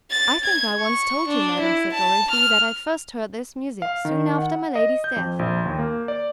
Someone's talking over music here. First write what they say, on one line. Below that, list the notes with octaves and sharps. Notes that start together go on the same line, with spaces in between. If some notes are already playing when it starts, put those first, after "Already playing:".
'I think I once told you, madam,' said Dorothee, 'that I first heard this music, soon after my lady's death!
A6
G#6
C#6
D4
E4
A5
F6
F5
D#3
F#5
D#5
G6
F2
A#1
D#2
A#3
D5